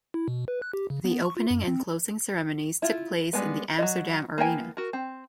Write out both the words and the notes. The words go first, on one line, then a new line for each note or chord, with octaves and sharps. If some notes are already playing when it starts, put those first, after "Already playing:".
The opening and closing ceremonies took place in the Amsterdam Arena.
E4
B2
B4
F#6
G4
C#3
B3
C#6
F4
F#2
C4
E4 F4
G3 G#3 B3
F#3 F#4 D#5
A#3 B3 E4 G5 G#5
F#4 A#4
C4